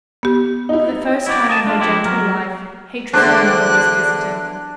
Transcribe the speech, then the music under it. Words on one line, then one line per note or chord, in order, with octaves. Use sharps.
For the first time in her gentle life hatred of another was visiting her.
B3 G4
D#4 E4
E4 F#4 G4 D5
A#3 D#5 G#5 A5
A3 D4 F4
F3 G3 E4 G4
F#3 A#4
E2 D3 D4 C5 F#6